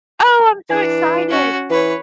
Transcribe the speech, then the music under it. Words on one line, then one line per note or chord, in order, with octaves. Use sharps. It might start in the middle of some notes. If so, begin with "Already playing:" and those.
Oh, I'm so excited.
E3 D4
C#4 F#4
E3 B4 C#5